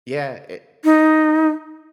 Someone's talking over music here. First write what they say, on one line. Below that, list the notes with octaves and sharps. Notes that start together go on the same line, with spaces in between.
Yeah, a
D#4